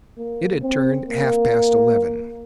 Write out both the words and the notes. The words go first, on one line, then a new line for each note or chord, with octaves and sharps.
It had turned half-past eleven.
A#3
C4
A#3